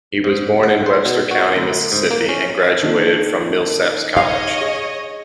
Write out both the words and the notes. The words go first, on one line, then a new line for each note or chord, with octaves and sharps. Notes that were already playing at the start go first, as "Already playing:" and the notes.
He was born in Webster County, Mississippi and graduated from Millsaps College.
G#2
F#5
C5
B2
F#4
D2
G#2
A#3
C#4
D#3 A#3 D4
C#5 D#5 F5
G#4